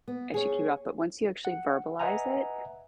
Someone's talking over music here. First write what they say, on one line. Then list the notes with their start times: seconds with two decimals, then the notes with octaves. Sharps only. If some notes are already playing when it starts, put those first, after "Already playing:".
I should keep it up, but once you actually verbalize it,
0.08 B3
0.34 G#4 C#5
1.45 F#5
1.99 B4 D#5 E5 F#5 G#5 A#5